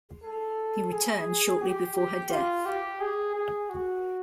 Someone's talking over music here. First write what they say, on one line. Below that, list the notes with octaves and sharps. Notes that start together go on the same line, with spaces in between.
He returned shortly before her death.
A4
G#4
G4
G4
F4
G4
G#4
G#4
F#4